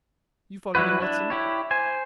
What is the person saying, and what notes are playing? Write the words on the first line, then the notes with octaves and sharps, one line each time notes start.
You follow me, Watson?
F#3 G3 E4 F#4 B4
D4 E4
E4 G4 C#5
C5 G#5